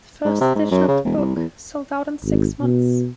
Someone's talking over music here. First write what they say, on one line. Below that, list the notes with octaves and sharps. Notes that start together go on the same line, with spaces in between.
The first edition of the book sold out in six months.
G#2
C3
G#2
F#2
C#3
E1
C2
E2
G#1
B2